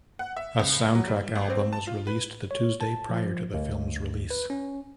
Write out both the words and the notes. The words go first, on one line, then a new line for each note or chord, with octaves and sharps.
A soundtrack album was released the Tuesday prior to the film's release.
F#5
E5
C#2
F#3
G3
G#1
C4
A5
F4
B4
C#5
A5
F3
D2
B4
C#4